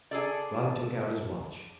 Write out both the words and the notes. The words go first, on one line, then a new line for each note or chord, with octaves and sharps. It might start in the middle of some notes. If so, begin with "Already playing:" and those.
Rod took out his watch.
D4 G#4 A4 D5